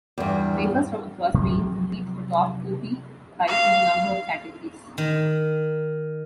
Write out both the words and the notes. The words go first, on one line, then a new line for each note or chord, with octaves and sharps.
Bakers from across Maine compete for top whoopie pie in a number of categories.
E2 G2
C3 F3 F#3
F5
D#3